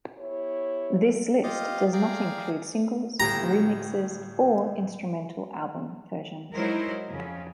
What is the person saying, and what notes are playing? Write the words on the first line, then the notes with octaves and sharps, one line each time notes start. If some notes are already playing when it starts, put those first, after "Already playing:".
This list does not include singles, remixes or instrumental album versions.
B3 E4 G4 C#5
F4 G4 D#5 F5
G#4 D5 F5 G5 A#5
G1 A2 G4 A#5
F#3 G#3 D#4 E4 A#4 C5
F2 C#3